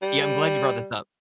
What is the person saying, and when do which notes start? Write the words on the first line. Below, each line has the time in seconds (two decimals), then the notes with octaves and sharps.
Yeah, I'm glad you brought this up.
0.02 G3